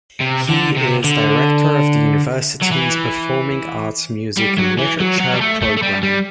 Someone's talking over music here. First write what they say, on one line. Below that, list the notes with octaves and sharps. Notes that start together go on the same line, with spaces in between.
He is director of the university's Performing Arts Music and Literature Program.
C3
D3
C3
D3
F#3
E3
G3
F#3
E3
F#3
F#3
G3
A3
A3
A3
G3
G3